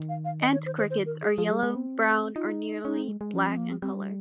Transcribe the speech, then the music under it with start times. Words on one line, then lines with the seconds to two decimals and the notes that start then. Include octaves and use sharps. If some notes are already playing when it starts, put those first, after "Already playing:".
Ant Crickets are yellow, brown, or nearly black in color.
Already playing: D#3
0.09 F5
0.25 F5
0.41 D#5
0.53 C#5
0.66 C5
0.78 C5
0.91 C5
1.06 A#4
1.22 G#4
1.38 F3
1.51 G3
1.63 G#3
1.75 C4
2.35 D#4 F4
2.85 C#4 D#4
2.97 C4
3.09 G#3
3.21 G#3
3.33 F3 C#4
3.46 C4
3.57 A#3
3.70 C4
3.82 G3 C4